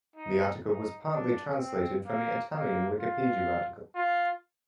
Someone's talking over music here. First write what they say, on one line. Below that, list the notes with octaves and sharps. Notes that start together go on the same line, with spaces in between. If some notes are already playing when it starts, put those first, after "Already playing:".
The article was partly translated from the Italian Wikipedia article.
D#4
D#4
D4
C4
A#3
A#3
F4
F4